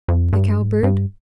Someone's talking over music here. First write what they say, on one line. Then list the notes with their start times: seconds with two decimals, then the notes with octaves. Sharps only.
The Cow Bird.
0.08 F2
0.33 G2
0.58 G#2
0.83 G2